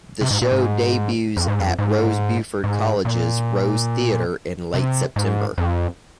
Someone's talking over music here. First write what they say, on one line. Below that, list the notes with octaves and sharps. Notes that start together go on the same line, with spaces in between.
The show debuts at Rose Bruford College's Rose theatre in late September.
C3
G#2
A#2
G#2
F2
G#2
F2
G#2
G#2
A#2
C3
G#2
F2